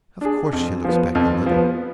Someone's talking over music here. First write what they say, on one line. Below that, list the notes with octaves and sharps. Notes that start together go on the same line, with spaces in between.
"Of course she looks back a little."
D4 G#4
F2
F3 B3
F2
F3 B3